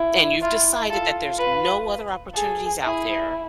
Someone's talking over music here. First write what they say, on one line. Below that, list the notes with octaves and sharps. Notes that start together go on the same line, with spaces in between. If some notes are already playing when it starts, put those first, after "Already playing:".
and you've decided that there's no other opportunities out there
Already playing: E4
E4 F4
F4 A4
B4
G#4 A4
E4 G#4